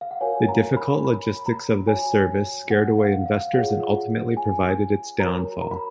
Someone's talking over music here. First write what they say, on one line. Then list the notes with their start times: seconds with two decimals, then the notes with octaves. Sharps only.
The difficult logistics of this service scared away investors and ultimately provided its downfall.
0.01 F5
0.11 F#5
0.21 F#4 A#4 C#5 G#5
0.49 A#5
0.77 B5
1.05 B5
1.46 A#5
1.87 F#4 C#5 G#5
2.71 F#5
2.99 F5
3.26 F5
3.53 F4 G#4 C#5 F#5
4.37 G#5
5.20 F#4 A#4 C#5 A#5
5.61 A#5
5.71 B5